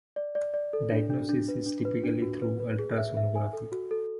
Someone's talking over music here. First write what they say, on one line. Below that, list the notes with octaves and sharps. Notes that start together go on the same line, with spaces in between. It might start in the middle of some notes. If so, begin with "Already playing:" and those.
Diagnosis is typically through ultrasonography.
D5
D5
D5
A4
D4
D4
D4
B4
D4
B4
D4
F#4
B4
B4
G#4
E5
E5
G#5
A4
F#4
A4